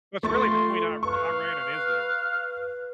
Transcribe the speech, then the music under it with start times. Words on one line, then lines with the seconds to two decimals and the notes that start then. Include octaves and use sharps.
So it's really between Ir Iran and Israel.
0.23 A3 F4 C6 C#6 A6
1.03 B4 F5 C#6